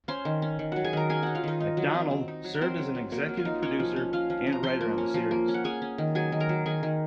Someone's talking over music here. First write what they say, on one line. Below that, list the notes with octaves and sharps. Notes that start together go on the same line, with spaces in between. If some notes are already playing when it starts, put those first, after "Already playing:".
MacDonald served as an executive producer and writer on the series.
C#4 C5 C6
D#3
C#4
D#3
F#3 F#4 F#5
G#4 G#5
D#3 A#4 A#5
C#4 G#4 G#5
C#4 F#4 F#5
F4 F5
D#3 D#4 D#5
D#4
F#3
C4
C4
D#4
F#3
A#4
F#3 C4 C5
F#3
F#3
F#3 A#3 A#4
F#3
F4
D#4
A#3 C#4 C#5
F3
C#4
C#4 F4 F5
F3
F3
A#5
F3 C5 C6
A#3
C#4
F3
A#3
C#4
F#5
C#4 G#4 G#5
C#4
D#3
F#3 G#4 G#5
D#3
A#4 A#5
F#3
D#3 G#4 G#5
D#3